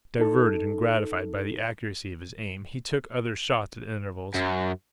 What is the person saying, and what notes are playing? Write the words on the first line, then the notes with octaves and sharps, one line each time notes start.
Diverted and gratified by the accuracy of his aim, he took other shots at intervals.
D#4 A4
F#2